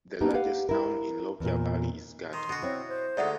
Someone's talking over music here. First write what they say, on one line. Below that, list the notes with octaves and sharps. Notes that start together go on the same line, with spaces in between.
The largest town in the Lockyer Valley is Gatton.
A#3 B3 D4 D#4 G4
G4 B4 F5 F#5
E4 A#4
E2 A#2
D#3 C6
B2 D3 F#4
C4 E4 C#5
C5
D2 G#2 D5 E5 F#5